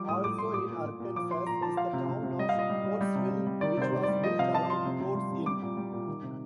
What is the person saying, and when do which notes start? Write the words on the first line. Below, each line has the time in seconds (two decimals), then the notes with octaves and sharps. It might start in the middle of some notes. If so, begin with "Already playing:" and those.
Also in Arkansas is the town of Pottsville, which was built around Pott's Inn.
Already playing: F3 G3 D6
0.08 A2 D#6
0.24 A2 D6
0.38 A2 C6
0.54 A#2 D6
0.70 A#2
0.85 A#2
1.00 A#2
1.16 F3 D6
1.31 F3 C6
1.47 A#2 A#5
1.61 F3 A5
1.77 F3 F5
1.93 C3
2.09 C3
2.23 C3
2.38 G3 D#5
2.49 A#2 F5
2.59 D#5
2.70 G3
2.84 G3
3.01 G3
3.15 C3
3.31 C3
3.47 G3
3.61 D#3 D5
3.77 C3 C5
3.93 C3
4.03 G3 D5
4.24 F3 D#5
4.39 C3 F5
4.54 F3 A5
4.70 F3 C6
4.85 C3
5.00 C3
5.15 G3
5.31 C3
5.46 G3 D6
5.62 A#2
5.77 G3
5.93 A#2
6.08 D#3
6.23 C3